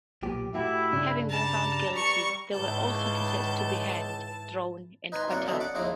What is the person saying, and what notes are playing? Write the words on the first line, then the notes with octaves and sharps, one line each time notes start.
Having been found guilty, they were all sentenced to be hanged, drawn and quartered.
B1 A#2 G4
A2 E4 F#4 G4 E5
G2 C#3 D4
G3 A5 A#5
C#6
C#2 G#2 E3 A5 G6
D#4 B4 G#5 A#5 C6
C2 F#2 A#3 D5 F5 F#5
B1 B2 D3 C#4 D#5 E5
D5 F#5 D6
D#2 C#3 F3 G#3 E4 A#5